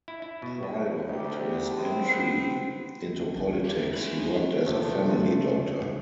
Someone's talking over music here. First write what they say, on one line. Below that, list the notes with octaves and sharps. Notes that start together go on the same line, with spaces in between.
Prior to his entry into politics, he worked as a family doctor.
E4
E4
B2
B2
D2 G4
G#3 B3 C4
C#3
F3 A#3
G#3 C#4 E4 F#4 B5
C3 F3 A3